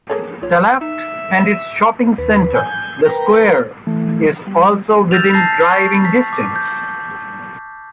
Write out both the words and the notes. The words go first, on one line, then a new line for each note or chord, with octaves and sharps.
Tallaght and its shopping centre, The Square, is also within driving distance.
A#3 G#4 A4 C#5
B1 F4 C#5
D#4 E5
D#2 B4
G#5 G6
A#4 B4 G5 A#5
E3 A3
G3
E6 F6 G6 A6 E7 F7
A5 G6 A6 A#6 C7
C#6
B6
D6
G6